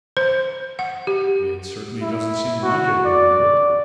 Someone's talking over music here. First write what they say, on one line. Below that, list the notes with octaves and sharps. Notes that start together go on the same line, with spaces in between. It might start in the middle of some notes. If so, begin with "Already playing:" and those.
"It certainly doesn't seem like it," I admitted.
C5
F#5
G4
E4
F#4
D5